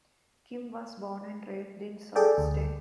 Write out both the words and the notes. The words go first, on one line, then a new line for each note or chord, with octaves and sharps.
Kim was born and raised in Sault Ste.
G#4 A4 D5 G5
D2